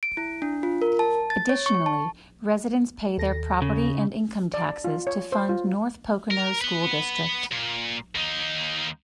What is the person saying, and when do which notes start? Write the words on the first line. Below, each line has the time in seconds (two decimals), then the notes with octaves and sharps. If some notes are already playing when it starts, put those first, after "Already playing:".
Additionally, residents pay their property and income taxes to fund North Pocono School District.
0.03 D7
0.17 E4
0.42 D4
0.63 F4
0.82 A#4
0.99 A5
1.30 A6
1.49 C#5
1.66 C#6
1.86 A5
3.18 D#2 A4 A#6
3.62 C#3
4.54 D5
4.85 F4
5.07 C#5
5.32 C5
5.49 F4
6.31 A#4
6.61 B4 F#5
7.52 A#2
8.15 D#2 D#4